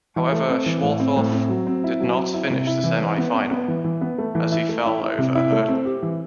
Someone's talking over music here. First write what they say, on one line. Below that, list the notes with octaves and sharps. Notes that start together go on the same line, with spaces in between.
However, Schwarthoff did not finish the semi-final as he fell over a hurdle.
E3
A3
C4
E3
A2
C4
A2
C4
F#3
C4
E4
F#3
C4
E4
C3
E4
E3
E3
B3
B3
B3
E3
E3
B3
A3
E3
E4
A3
E4
E4
C3
E4
A3
C4
G4
E3